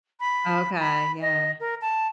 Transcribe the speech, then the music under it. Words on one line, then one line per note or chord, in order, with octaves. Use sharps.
Okay, yeah.
B5
B5
D#5
A#4
A5